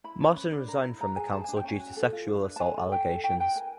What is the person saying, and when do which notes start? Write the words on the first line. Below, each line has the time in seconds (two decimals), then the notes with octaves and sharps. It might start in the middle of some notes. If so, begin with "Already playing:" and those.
Martin resigned from the council due to sexual assault allegations.
0.04 E4 B5
0.20 C#4
0.36 B4 B5
0.52 D4
0.68 A#4
0.84 E4
1.00 B4 A#5
1.16 G#4 G#5
1.32 G#4 A5
1.44 D4 G#5
1.57 G5
1.64 C#4 G#5
1.80 F#4
1.96 A4
2.12 F4
2.28 D4
2.44 B4
2.56 A5
2.60 A4 G#5
2.76 A4
2.92 A4 G5
3.08 A4
3.24 E4 G5
3.40 B4 G5
3.56 A#4 G#5